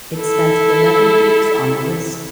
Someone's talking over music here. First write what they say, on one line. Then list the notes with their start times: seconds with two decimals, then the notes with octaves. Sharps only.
It spent eleven weeks on the list.
0.19 E4 A4